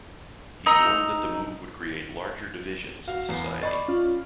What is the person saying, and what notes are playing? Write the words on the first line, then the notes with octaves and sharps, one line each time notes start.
He warned that the move would create "larger divisions" in society.
D#4 D#5 A#5 E6
F#4 F5
E2 B3 C7
D5 D#5 B5 C#6 A6
C#4 F4 F6